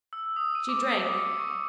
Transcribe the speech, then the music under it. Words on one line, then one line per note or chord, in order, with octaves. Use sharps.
She drank.
E6
D#6
D#7
D6
D#6
C#7
C#6